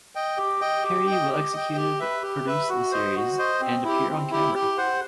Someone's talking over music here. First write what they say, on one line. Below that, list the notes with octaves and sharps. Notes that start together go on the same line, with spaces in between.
Harry will executive produce the series and appear on camera.
D#5 G5
G4
D#5 G5
G4
G5
D#5
G4
D#5 G5
G4
B4 E5
G4
B4 E5
F#4
C5 D#5
F#4
C5 D#5
C4
E4 G4
C4
E4 G4
G4
C5 F#5